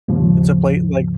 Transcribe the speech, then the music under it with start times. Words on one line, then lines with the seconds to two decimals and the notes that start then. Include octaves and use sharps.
to play, like,
0.08 D#2 G#2 C#3 F3